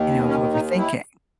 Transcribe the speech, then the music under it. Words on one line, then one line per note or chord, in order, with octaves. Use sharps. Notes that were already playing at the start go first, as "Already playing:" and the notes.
you know, of overthinking
Already playing: D#2 D#3
C#4
D#4
E4